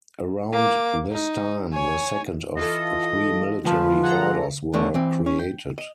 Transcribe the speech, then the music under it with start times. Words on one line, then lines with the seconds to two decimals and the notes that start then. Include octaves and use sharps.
Around this time, the second of three military orders were created.
0.52 A#3 D6
1.11 D#4
1.73 C#5 G#5
2.56 E3 F4 A4 D#5
3.64 D2 F3 G#3 A3 F4 B4 A5
4.03 G#4 A4 F#5 A#5
4.74 E2 D3 A3 D#5
4.94 E3 C4
5.26 C#4
5.39 G5
5.78 D#5